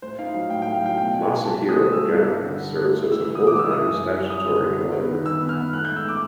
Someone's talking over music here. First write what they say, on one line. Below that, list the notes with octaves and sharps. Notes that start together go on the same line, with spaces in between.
Masahiro Gennaka serves as Full-Time Statutory Auditor.
A2 C5
D#4 F5
F#3 F5
A2 G5
G5
A2
F5
F#3 G5
B2 G5
B2
G#5
B2
F#3 A5
B2
D#6
A3
G3 E6
G2
G3
D3
D3
G3
A3
E4
E6
E3
E3 D#6
D6
A3
E6
E4 D#6
F#2
F#2
G3
G3 D#6
D3
G3
B3
B3
D#3
D#3 E6
B3
F6
B3
A3 F#6
G6
G#2
E6
D6